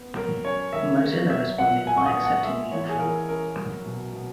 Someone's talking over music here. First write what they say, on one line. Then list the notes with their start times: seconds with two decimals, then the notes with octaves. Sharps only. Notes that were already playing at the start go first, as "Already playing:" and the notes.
Mozilla responded by accepting the offer.
Already playing: B3
0.16 F#3 A#4
0.45 C#4 C#5
0.73 D#3 E5
1.02 A#3
1.30 F#3 E5
1.58 A#2 F#5
1.86 A#2 G#5
1.97 C#6
2.06 D#6
2.15 B3
2.25 F#5
2.43 G#3 E5
2.71 E3 C#5
2.89 G#4
3.00 E3 A#4
3.28 C#4 A#4
3.57 F#3
3.86 B2
4.13 B2